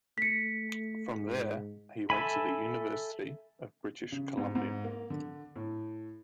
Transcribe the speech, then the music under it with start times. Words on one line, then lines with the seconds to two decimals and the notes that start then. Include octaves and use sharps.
From there he went to the University of British Columbia.
0.18 A3 B6 C#7
1.16 G#2
2.10 A4 E5 G#5 B5
4.12 C#3
4.37 G#2
4.55 G#2
4.84 A#3
5.10 D3
5.56 A2